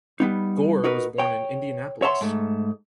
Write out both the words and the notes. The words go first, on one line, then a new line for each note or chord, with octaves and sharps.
Gore was born in Indianapolis.
G3 B3 D#4
D#4 F#4 A#4 B4
C#5 G5
C#5 E5 F#5 A5 C6
G#2 A3